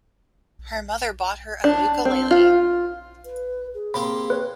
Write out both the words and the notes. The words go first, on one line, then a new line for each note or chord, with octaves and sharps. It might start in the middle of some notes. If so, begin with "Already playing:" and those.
Her mother bought her a ukulele.
D4
C4
F4
B4
G#4
A#3 C4 G4 B5
B4 C#5